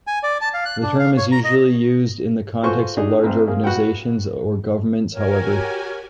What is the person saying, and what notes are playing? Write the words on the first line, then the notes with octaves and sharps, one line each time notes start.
The term is usually used in the context of large organizations or governments, however.
G#5
D5
A5
F5
F#6
D4
F5
C#5
A#5
D#5
F4 F#4 A4 C5 G#5 C#6
D4 D#4 G#4
A1 C4
A#3 G#4
F#4 B4 F#5 G5
F#4 G4 A#4 C#5 G#5